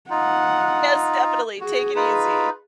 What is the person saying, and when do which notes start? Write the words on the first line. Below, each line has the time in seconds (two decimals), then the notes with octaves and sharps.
Yes, definitely, take it easy.
0.10 D#4 F4 F#5
1.61 F#4 G#4
1.96 D#4 F4 B4